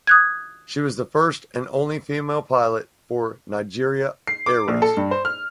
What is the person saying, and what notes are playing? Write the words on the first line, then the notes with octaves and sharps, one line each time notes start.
She was the first and only female pilot for Nigeria Airways.
D#6 F#6 G#6
C7
D6
A#1
A4
G2
C5
F6